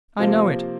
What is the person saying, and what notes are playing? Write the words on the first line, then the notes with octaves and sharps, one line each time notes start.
'I know it!
C3 F3 A#3